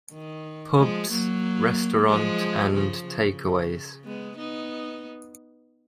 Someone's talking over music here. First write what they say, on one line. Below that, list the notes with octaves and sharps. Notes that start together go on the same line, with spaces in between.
Pubs, restaurant and take-aways.
D#3
F3 G#3
F#3 A#3
F3 G#3
C#3 F3
C#3
G#3 B3
B3 D#4